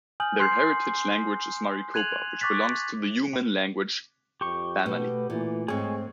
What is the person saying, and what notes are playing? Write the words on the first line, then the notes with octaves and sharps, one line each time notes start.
Their heritage language is Maricopa, which belongs to the Yuman language family.
G#5 D#6 F6 G6 F#7
C6 G6 C7
F#6 G#6 D#7 F7 F#7
C#6 D6 F#6 A6 B6
F2 G4 C#6
B2 A3 B4
A#2 E3
G#2 G#3 C4 G#4 C#5